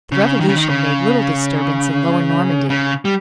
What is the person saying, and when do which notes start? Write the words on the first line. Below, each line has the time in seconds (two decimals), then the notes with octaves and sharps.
The Revolution made little disturbance in Lower Normandy.
0.12 C#3
0.40 D#3
0.49 C#3
0.57 D#3
0.69 C#3
2.70 C#3
3.05 G3